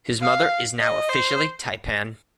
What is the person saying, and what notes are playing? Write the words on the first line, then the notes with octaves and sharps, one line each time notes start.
His mother is now officially taipan.
F5
D#5
C5